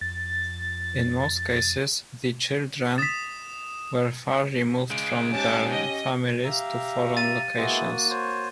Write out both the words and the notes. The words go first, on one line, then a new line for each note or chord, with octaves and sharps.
In most cases, the children were far removed from their families to foreign locations.
F2 A6
D#6 A6 B6 E7
C#3 G#3 D7
F2 G#2 C#4 G4 A5 D6 G#6
D#5
G4 E5 F5 A#5
A6 D#7
G#3 A#3 B3 E4 F#4
C5 C#5